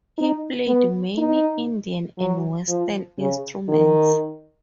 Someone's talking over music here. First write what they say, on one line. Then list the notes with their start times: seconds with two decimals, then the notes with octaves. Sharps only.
He played many Indian and Western instruments.
0.18 D#4
0.67 B3
1.18 D#4
2.18 F#3
2.68 F3
3.19 C#3
3.69 D#3